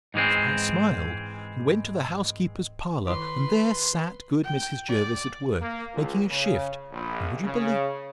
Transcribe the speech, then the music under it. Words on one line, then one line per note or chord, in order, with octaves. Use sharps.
So I smiled, and went to the housekeeper's parlour; and there sat good Mrs. Jervis at work, making a shift: and, would you believe it?
G#2 E3 G#3 C4
D#3 E4 B4 C6
G5
D5
A#3
C#2
C#3
A#1
C#3